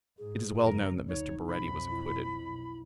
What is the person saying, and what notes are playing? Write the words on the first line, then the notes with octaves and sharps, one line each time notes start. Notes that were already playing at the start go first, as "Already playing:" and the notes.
It is well known that Mr. Baretti was acquitted.
G#2 G#4
F#1 F#2 A#4
D2 D#4 C#5
B1 F2 B5
E4
B1